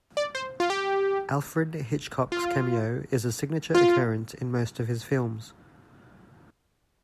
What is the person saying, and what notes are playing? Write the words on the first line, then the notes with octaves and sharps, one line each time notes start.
Alfred Hitchcock's cameo is a signature occurrence in most of his films.
D5
C5
F4
G4
F4
F4